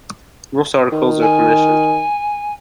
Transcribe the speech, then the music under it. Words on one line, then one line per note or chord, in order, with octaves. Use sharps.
Most articles are commissioned.
D#3
G#5